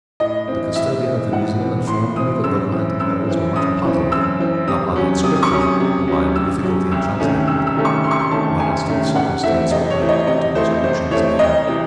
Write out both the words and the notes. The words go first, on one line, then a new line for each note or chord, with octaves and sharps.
The custodian of the museum informed me that local antiquaries were much puzzled, not by the inscription, or by any difficulty in translating it, but as to the circumstance or rite to which allusion is made.
A2 D#5
E3 C4
A2 E5
E3 C4
A2 F#5
E3 C4
A2 C6
E3 C4 D#6
F#2 E6
E3 C4
F#2 E6
E3 C4
F#2 D#6
E3 C4
F#2 E6
E3 C4
C3 D#6
F#3 C#4
C3 D#6
D#6
C#6
F#3 C#4
D#6
C3
F#3 C#4
C3 E6
F#3 C#4
C2 E6
C3 D#3 A3 C#4
C2 E6
E6
C3 D#3 A3 C#4
C#6
C2 C6
C#6
C6
C3 D#3 A3 C#4 A5
C2 G#5
C3 D#3 A3 C#4
C3 F#5
E3 A3 C4 E5
C3 D#5
C#5
E3 A3 C4
D#5
C3 D#5
E3 A3 C4 C5
C3 C5
E3 A3 C4 C#5
C2 D#5
C3 E3